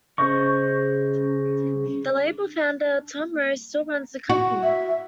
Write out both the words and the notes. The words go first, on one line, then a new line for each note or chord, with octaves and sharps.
The label founder Tom Rose still runs the company.
C#3 C5 D#5 C#6
F#4
E5